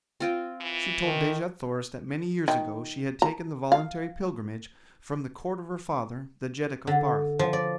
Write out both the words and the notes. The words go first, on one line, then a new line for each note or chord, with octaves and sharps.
She told Dejah Thoris that many years ago she had taken the voluntary pilgrimage from the court of her father, the Jeddak of Ptarth.
C4 F4 G5
E3
D#3
D#3
A#5
F5
D3
F3
D5